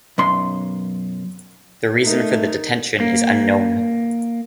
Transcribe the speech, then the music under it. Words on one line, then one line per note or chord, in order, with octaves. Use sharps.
The reason for the detention is unknown.
B1 F#2 C6
A3 D#4 A#4
A#3